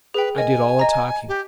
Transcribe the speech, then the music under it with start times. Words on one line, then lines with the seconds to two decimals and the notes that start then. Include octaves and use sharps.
I did all the talking.
0.14 G#4 B4 G5
0.36 A#4 D#5 G#5
0.79 D#5 A#5
1.28 G4